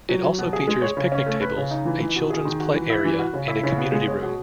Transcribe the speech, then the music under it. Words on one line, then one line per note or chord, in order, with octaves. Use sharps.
It also features picnic tables, a children's play area and a community room.
F#3
F#3
B2
G#4
G#3
C#5
C#3
C#4
A3
B4
C#3
D#4
E3
E3
B2
G#4
D#3
F#4
E3
E4
E3
F#4
C#3
E4
C#3
B3
G#3
C#5
B2